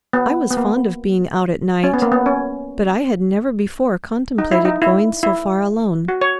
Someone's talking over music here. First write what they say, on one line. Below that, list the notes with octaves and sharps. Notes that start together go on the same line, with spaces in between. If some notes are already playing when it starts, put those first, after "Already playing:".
I was fond of being out at night, but I had never before contemplated going so far alone.
B3
B3
A#3
C#4
B3
A#3
B3
C#4
D#4
E4
D#4
E4
E4
F#4
C#5